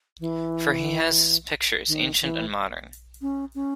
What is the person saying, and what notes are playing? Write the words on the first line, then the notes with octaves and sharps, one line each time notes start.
For he has his pictures, ancient and modern.
E3
D#3
E3
C#4
C#4